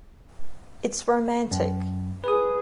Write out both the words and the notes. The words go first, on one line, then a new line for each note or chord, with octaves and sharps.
It’s romantic.
F#2
G#4 B4 D#6